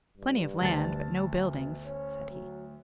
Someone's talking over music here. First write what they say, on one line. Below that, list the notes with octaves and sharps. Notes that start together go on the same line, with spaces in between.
"Plenty of land, but no buildings," said he.
G2
D2 A5 A6
B2
C#4
F#3